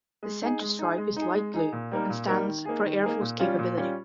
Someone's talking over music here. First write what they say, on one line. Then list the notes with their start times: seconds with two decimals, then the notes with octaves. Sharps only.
The center stripe is light blue and stands for Air Force capability.
0.23 G#3
0.42 D#4 G#4
0.60 G#3
0.79 D#4 G#4
0.98 G#3
1.16 D#4 G#4
1.35 G#3
1.54 D#4 G#4
1.72 A#2
1.91 G3 A#3 D#4 A#4
2.10 A#2
2.28 G3 A#3 D#4 A#4
2.46 D#3
2.65 A#3 D#4 G#4
2.84 D#3
3.03 A#3 D#4 G#4
3.21 A#2
3.40 G3 C#4 F4
3.59 A#2
3.77 G3 C#4 F4